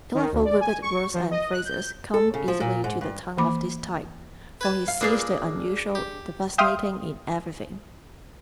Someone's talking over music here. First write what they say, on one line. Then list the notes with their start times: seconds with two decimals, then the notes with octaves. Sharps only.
Colorful, vivid words and phrases come easily to the tongue of this type for he sees the unusual, the fascinating, in everything.
0.14 D#3
0.32 D2
0.45 D5
0.61 G#5
0.82 C#6
1.14 F3
1.31 D#5
1.52 F#6
1.65 G6
2.14 A4
2.34 C#3
2.48 F3
2.60 A#2
2.84 G#2
3.01 G2
3.37 E3 A#3 B5 D6
4.61 B4 G#5 A5
4.88 F5
5.01 A#2 A#3 D4 G#4 B4
5.95 G4
6.58 E5 F5 G5 C6 D#6 F6